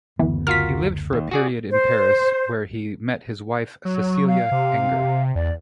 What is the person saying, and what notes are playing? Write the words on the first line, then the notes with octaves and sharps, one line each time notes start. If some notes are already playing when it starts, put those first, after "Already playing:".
He lived for a period in Paris, where he met his wife, Cecilia Enger.
F#1 D2 E3 B3
F4 F#4 A#4 F6 B6
D#2
F#4 G#4 D5
C5
F#3
C#6
F5
C3
E2 D5